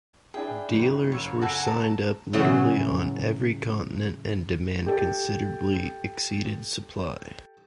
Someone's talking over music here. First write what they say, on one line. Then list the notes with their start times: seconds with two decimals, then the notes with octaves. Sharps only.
Dealers were signed up literally on every continent and demand considerably exceeded supply.
0.34 D4 E4 G#4 G5
0.69 G1 G#2
1.12 F#1 C#5 E6
1.42 F#4 A4 G#5
1.67 A5 A#5
2.33 A2 C#3 E3 F#3
4.86 G4 A4